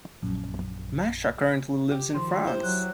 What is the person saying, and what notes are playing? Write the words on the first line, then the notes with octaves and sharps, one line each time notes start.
Masha currently lives in France.
A#1 F#2
G4
D#3 F3 C6
E4 G4 C5
F#3 F#6